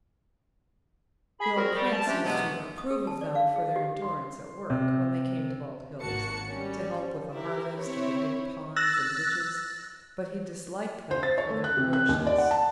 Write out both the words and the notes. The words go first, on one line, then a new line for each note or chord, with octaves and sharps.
The old prince used to approve of them for their endurance at work when they came to Bald Hills to help with the harvest or to dig ponds, and ditches, but he disliked them for their boorishness.
G#4 B5
C4 F#4 G#4 A#4
G3
A5
C3 A3 C#4 D4 G4
E2 B2 F#3 G#3 B3
D#6
G#4
A5
D5
F5
G#4
G4
C6
C3
G#1 A#3 F#4 A5 C#7
G3 C#4
E4 G4 A#4
C4 E4 C#5
E6 F#6 A6 A#6
C5
A6
C#5
A3
F#6
C3
F#6
D#2
D5
F#5
A5